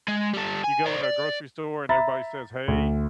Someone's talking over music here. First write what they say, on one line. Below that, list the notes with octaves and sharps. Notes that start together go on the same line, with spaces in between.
you go in a grocery store, and everybody says hey.
G#3
G3 A4
G#5
C5 D5
D5
E5 A#5 B5 A6
D2